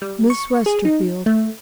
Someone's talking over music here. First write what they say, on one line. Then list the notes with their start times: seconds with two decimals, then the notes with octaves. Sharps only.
Miss Westerfield.
0.02 G3
0.30 C#6
0.66 G#4
0.85 D#4
1.26 A3